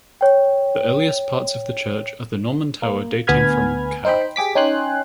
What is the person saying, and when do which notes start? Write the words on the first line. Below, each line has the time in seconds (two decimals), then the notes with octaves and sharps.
The earliest parts of the church are the Norman tower dating from ca.
0.21 C#5 G5
2.82 A#3
3.27 D2 B3 G#5 B5 F6 G#6
4.05 D#4 C5 G5 B5
4.36 G4 G#4 D6 B6
4.55 C#4 D#4 G5 G#5 C6 F#6